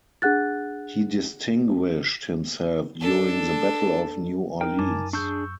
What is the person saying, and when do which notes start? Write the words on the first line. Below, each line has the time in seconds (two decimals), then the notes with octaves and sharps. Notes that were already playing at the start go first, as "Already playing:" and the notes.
He distinguished himself during the Battle of New Orleans.
0.22 D4 G#4 F#5 F#6 A6
3.01 D4 A4
4.61 D#4 A#4 G5
4.79 F#2 G#5 A5 D6
5.13 D4 G#4 C#6 E6 G6